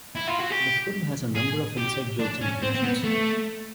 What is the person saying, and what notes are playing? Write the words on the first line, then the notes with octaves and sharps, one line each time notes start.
The film has a number of inside jokes and allusions.
E4
F4
F#4
G4
G#4
G4
D4
C#4
C4
C4
B3
A3